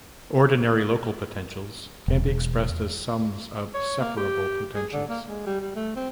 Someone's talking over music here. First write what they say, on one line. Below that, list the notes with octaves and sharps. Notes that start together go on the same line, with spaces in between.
Ordinary local potentials can be expressed as sums of separable potentials.
E1
C#5
A#3
G4
G#4
D3
A#3
G#3
G3
G3
A3
C4